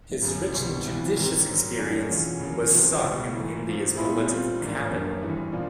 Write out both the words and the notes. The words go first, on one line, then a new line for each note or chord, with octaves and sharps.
His rich and judicious experience was sought in India's political capital.
G1 F#2 C#3
C2 B2 G3
C#2 C3 E3
G#2 D#3 G3 C4
G#2 D#3 F#3
F#2 D3 G3 A#3 C#4
E2 B2 G#3 C#4 F4
E2 C#3 F#3 A#3 C#4
C2 C3 F3
C#2 B2 G3
G#2 E3 A3
G#2 F3 A3
A#2 G3 B3 E4 G#4
A#2 G3 C4 F4
A1 G#2 F3 A#3 D4
F#2 D3 G3 A#3 D4
G#1 G2 E3 G3
A#2 F3 A#3 D4